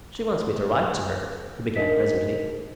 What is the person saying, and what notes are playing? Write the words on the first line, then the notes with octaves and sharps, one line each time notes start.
"She wants me to write to her," he began, presently.
D4 D#4 A#4 D#5 B6